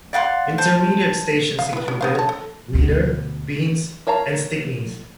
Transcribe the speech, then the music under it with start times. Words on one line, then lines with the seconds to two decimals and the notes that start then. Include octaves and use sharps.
Intermediate stations included Wheeler, Beans, and Stickneys.
0.13 D5 F5 F#5 C6
0.58 C5 A5
1.59 F5
1.73 E4 B4
1.88 C#4
2.01 B3 C5 F5
2.15 C#5 A5
2.29 A4
2.73 D2 B2
4.07 A#4 C#5 F5 A5 A#5